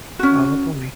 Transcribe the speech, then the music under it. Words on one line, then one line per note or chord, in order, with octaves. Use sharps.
Oh boy.
C#4 F#4